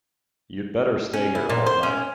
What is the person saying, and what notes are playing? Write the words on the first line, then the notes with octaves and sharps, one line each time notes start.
You'd better stay here all night.
C#4
E4
A#2
C5
C#4